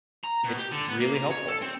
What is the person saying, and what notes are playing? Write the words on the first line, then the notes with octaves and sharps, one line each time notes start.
It's really helpful.
A#5
B2
G4
D3
B3
A#3
A#5
C#5
A4
C4